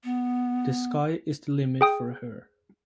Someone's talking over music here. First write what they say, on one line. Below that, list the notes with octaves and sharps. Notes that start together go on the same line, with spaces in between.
The sky is the limit for her.
B3
G#4 G5 D#6